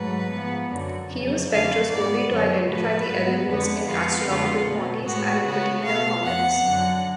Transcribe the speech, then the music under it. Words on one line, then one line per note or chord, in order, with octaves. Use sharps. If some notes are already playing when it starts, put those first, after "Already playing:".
He used spectroscopy to identify the elements in astronomical bodies, and, in particular, comets.
Already playing: G#2 F#3 A3 B4
G#2 F3 B3
F#2 D3 F#3
F2 C#3 F#3
F2 D3 F#3 A3 F5
G#2 G#3 B3 D5
F#2 D3 F#3 C#5
A2 F3 A3 B4
G#2 F#3 B3
F2 D3 G#3 B3
F2 F3 G#3 B3 F4
F2 D3 G#3 B3 F4
B2 A3
A2 G#3 B3 F#4
C#3 G#3 B3 F#4
B2 A3 F5
F2 F3 B3 F#5
F#2 D3 F#3